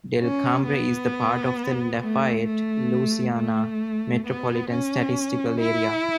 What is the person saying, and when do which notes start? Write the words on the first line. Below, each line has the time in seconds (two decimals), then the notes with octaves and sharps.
Delcambre is the part of the Lafayette, Louisiana Metropolitan Statistical Area.
0.22 C#4
0.67 B3
2.02 A3
2.46 A3
3.37 A3
4.26 B3
4.71 C#4
5.60 E4